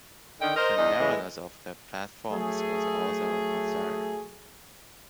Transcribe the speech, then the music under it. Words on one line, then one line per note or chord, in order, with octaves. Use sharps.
The narrowness of the platforms was also a concern.
D3 D#3 G5
A#4 C5 D#5
E2 D4 D#4
A2 E3 G#3
F#3 A3 G#4